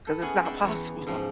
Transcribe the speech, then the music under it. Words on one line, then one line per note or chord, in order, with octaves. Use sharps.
'Cause it's not possible.
A4 B4
B3 C#4 E4 G#4 F#5 G#5
D#4 G#4 D5 E5 F#5 G5
E2 C#5
G#2 C#3 F3